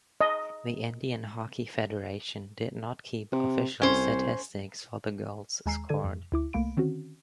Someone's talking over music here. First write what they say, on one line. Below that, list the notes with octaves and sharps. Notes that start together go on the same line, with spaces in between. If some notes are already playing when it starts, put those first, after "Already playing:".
The Indian Hockey Federation did not keep official statistics for the goals scored.
D#5
C3
C2 C#4 C5
D#2 G#3 G#5 A#5 E6 C7
D3 A4 D5 G#6 D#7
F2
D2 E4 D6
C2 A3 A#3 F5 B5 D7
D3 D#3 C4 C#4 F#4